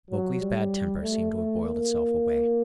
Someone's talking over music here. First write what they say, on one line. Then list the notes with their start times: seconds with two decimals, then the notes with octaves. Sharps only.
Mowgli's bad temper seemed to have boiled itself away.
0.10 F#3
0.41 G3
1.02 A3
1.33 A3
1.64 A#3